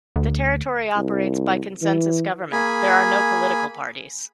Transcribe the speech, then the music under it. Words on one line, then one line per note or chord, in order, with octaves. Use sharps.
The territory operates by consensus government; there are no political parties.
D2
C2
E3
A#3 G#4 G#5 B5